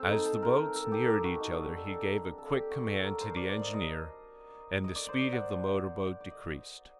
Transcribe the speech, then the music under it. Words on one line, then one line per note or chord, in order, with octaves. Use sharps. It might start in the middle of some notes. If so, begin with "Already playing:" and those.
As the boats neared each other he gave a quick command to the engineer, and the speed of the motor-boat decreased.
Already playing: C4 A4 C5
D#4
A4
A#4
A4
G4
G4
F#4
D#4
D4
G4
A4
A#4
A4
G4
F#4
A4
A#4
C5
D5
D5
D#5
D#5
D#5
D5
C5
D5
F#5
D5
D#5